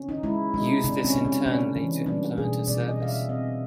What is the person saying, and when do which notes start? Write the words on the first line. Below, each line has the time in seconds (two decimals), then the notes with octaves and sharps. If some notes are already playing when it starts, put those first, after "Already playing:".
Use this internally to implement a service.
Already playing: C#4
0.09 D#4
0.23 G#3 E4
0.54 G#3 D#4
0.84 C3 D4
1.04 C#4
1.15 C3
1.25 C#4
1.46 C#4 D4
1.76 E3
2.06 G3 D4
2.38 B2 G#4
2.67 B2 D5
2.88 D#5
2.98 B2 F5
3.08 E5
3.28 C4 D#5